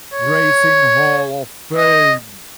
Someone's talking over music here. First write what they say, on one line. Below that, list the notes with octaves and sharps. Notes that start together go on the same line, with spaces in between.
Racing Hall of Fame.
C#5
D#5